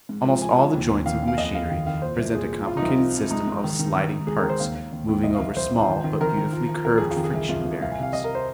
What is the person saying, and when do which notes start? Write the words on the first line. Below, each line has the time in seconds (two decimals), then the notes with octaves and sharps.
Almost all the joints of the machinery present a complicated system of sliding parts moving over small but beautifully curved friction bearings.
0.09 G#2
0.25 F3
0.42 F3 G#5
0.58 F3
0.73 D#2
0.90 D#2
1.06 D#3 F5
1.23 D#2
1.28 F5
1.38 F2 D#5
1.54 F2 F5
1.70 D#3 F5
1.86 D#3 F5
2.02 A#2 C5
2.19 C2
2.34 A#2 G#4
2.51 F3
2.67 F3 F4
2.77 D#4
2.82 C2
2.88 C4
2.99 F3
3.15 F3
3.31 G#2 D#4
3.48 G#2
3.64 D#3
3.79 D#3
3.95 D#3
4.12 G#2
4.27 G#2 G#4
4.38 D#3 A#4
4.49 C5
4.60 D#2 F5
4.75 D#2
4.92 D#2
5.08 D#2
5.24 C2 D#5
5.35 C2 F5
5.57 C2 C5
5.72 F3
5.89 D#3
6.04 D#3
6.21 D#3 A#4
6.37 D#3
6.53 F3
6.69 F3
6.85 F3 A#4
6.98 F2 G#4
7.11 F4
7.17 D#3
7.24 G#4
7.34 C2
7.49 C2 F4
7.65 C2
7.81 C2 F5
7.92 G#5
7.98 C3 F5
8.13 C2 D#5
8.24 A#4
8.35 C5